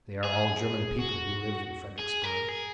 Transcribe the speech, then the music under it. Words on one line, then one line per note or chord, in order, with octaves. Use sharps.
They are all German people who live in Fredericksburg.
G#4
F#4
G#4
A#4
G#4